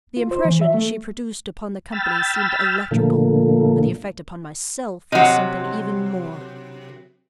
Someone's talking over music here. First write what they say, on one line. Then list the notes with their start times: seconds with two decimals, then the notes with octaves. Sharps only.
The impression she produced upon the company seemed electrical but the effect upon myself was something even more.
0.17 F4
0.31 C5
0.45 E3
0.61 E5
0.74 A3
1.92 G5 B5 E6 F6 A6
2.91 A#2 D3 F3 A3 A#3
5.12 C3 F#3 D#5 F#5